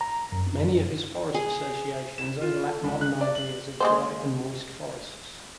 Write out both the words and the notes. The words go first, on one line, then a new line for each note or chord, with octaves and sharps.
Many of his forest associations overlap modern ideas of dry and moist forests.
A#5
F#2
G#4
E7
F4
A4
C#2
F#6
D5
F#7
G#3 A#3 C5